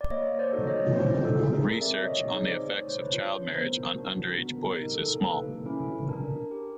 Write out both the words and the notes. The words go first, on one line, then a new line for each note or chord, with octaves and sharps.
Research on the effects of child marriage on underage boys is small.
D5
A#3 C#5 D#5
C5 D5
D#4 F#4 A4
C#5 D#5
C4 C5 D5
A4
F4 G#4
A#4
C4 D5 E5
C#5 D#5
G#4
D#4
C5 D5
A3 D5
C#5
C5
B4 C#5
D4 F4
B3 A#4 C5
D4 F#4
B3 A#4
A#4
D#4 G4
A4
A#3 A4 B4
C#4 E4
D4 A#4
G4